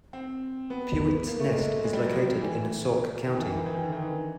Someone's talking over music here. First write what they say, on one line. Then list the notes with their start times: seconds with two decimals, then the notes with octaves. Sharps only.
Pewits Nest is located in Sauk County.
0.13 C4
0.70 B3
1.27 A#3
1.39 A3
1.52 G#3
1.64 A3
1.84 G#3
1.93 G3
2.03 F#3
2.12 F3
2.41 E3
3.26 D#3
3.35 E3
3.42 D#3
3.50 E3
3.59 D#3
3.66 E3
3.74 D#3
3.83 D3
3.92 D#3
4.02 E3